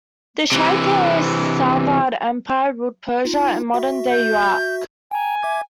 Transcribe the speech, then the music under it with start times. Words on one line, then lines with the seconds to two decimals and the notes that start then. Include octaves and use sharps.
The Shi'ite Safavid Empire ruled Persia and modern-day Iraq.
0.52 C3 E3
3.25 D#4 F4
3.73 F#4 E5
4.11 G6
5.11 G5 G#5 A#5
5.42 E5 D6 G#6